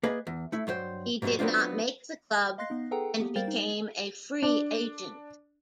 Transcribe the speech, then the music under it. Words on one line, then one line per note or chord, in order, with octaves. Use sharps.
He did not make the club and became a free agent.
A#3 G#4 B4 D5 D#5 G#5
E2
A3 E4
G2 F#3 C5 G5
G#2 B2 E3 F#3 G3
F#3 B3 C4 D4 F4
D#5 F5 C6 F#6 A#6 C7
B3 D#4
G#4 A4 B4 F#5 G5 A#5
A#3 B3 G4
G3 A#4 C5 F5 G5 A6
D#4
D4